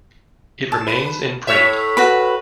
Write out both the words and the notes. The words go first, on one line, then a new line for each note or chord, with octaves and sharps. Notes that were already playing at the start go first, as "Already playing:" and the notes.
It remains in print.
A5
B4
A2 C#5 E5
F#4 B4 B5